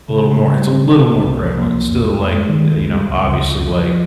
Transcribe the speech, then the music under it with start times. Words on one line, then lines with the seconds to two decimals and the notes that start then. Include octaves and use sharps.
a little more it's a little more prevalent. Still, like, uh, you know, obviously, like,
0.09 C#3
0.24 C#3
0.39 C#3
0.54 G3
0.69 C#3
0.84 C#3
0.99 C3
1.14 C2
1.28 C2
1.44 F3
1.58 A#3
1.73 C2
1.89 F2
2.04 G#3
2.19 F2
2.34 G#3
2.49 D#3
2.64 G#3
2.80 C#2
2.94 G3
3.10 C#2
3.24 C#2
3.40 C#2
3.55 C#2
3.69 F3